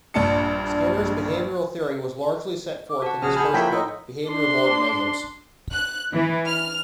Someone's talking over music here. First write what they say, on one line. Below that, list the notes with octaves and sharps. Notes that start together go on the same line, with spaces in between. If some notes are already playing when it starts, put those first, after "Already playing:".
Skinner's behavioral theory was largely set forth in his first book, "Behavior of Organisms".
A#1 G2 D4 A5 C#7
D6
F#4 F#5 A5
A#1 C#3 F#4 G#4 G#5 F6
G#4 F#5 G#5 B5 F6 G6
F3 A#3 E4 C#5 E5 G5 C6 B6
D#4 F#5 E6
D4 C6
F#6
E3
F6